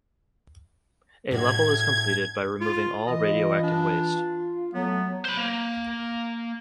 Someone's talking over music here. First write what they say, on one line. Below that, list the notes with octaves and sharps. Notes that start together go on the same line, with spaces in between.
A level is completed by removing all radioactive waste.
A2 D4 F#4 G#6
F4
E3 F4 D#5
D4
F#3 A3 B3
C5 B5
A#3